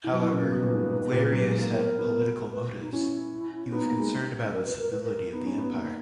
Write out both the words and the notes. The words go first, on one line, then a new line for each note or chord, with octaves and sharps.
However, Galerius had political motives; he was concerned about the stability of the empire.
E3
F#3 B4
E3
C#3
B2
B2
A#2
G#2
A#2
G#2
A#2
F#3
G#3
A#3
B3 A#4
B3
B4
D#4
C#4 E4
B3 D#4
A#3
G#3
A#4
B4
A#4
B4
A#4
B3 D#4
C#4
B3
A#3